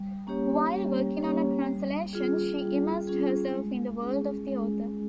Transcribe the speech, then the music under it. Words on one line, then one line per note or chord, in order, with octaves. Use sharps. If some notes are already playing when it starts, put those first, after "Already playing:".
While working on a translation, she immersed herself in the world of the author.
Already playing: G3
A#3 C#4 G4 C#5
G3
A#3 C#4 G4 C#5
G3
C#4 F4 G#4
G3
C#4 F4 G#4
G#3
C#4 G#4
G#3